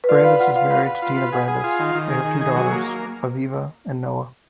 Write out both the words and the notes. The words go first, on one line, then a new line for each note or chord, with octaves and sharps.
Brandes is married to Deena Brandes; they have two daughters, Aviva and Noa.
B4
F4 D5
B4 F5
F4 F#5
F4 F5
B4 F5
B4
F4
B4
G#4 F#5
G#4
F4
D#3
D#3
G#4
D#3
G#4
F#3
A#3